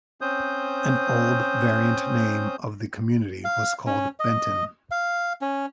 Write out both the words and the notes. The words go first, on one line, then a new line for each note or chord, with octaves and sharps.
An old variant name of the community was called Benton.
C4 C#4 C5 D#6 G6
F5
C#4
D#5
F5
C#4